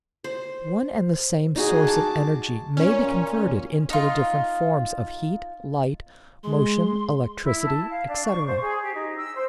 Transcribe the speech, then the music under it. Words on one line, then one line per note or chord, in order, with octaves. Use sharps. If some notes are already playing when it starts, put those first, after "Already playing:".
One and the same source of energy may be converted into the different forms of heat, light, motion, electricity, etc.
C5
D#4 F#4 G#4
A5 D6
A#2 C#4
D#4 F4
G#3 C6
E4
A5
F5
D4
C#6
C5
G#4
G4
D#4
E6
C5